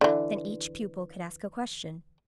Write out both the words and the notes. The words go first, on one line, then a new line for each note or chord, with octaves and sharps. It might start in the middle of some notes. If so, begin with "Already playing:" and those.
Then each pupil could ask a question.
D3 E3